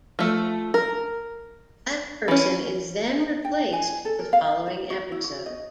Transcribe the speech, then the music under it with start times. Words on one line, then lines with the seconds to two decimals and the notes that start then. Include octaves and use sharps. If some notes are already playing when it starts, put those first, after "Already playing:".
That person is then replaced the following episode.
0.19 F3 A3
0.74 A#4
2.28 E3 C#4
3.45 G5
3.73 G#5
4.05 A4
4.19 A#4
4.33 F5
4.67 C5
4.90 F#4
5.12 E4
5.24 F#4
5.46 D#5